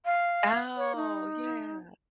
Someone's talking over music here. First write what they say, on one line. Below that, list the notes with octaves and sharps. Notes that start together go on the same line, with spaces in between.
Oh, yeah.
F5
C#5
D#4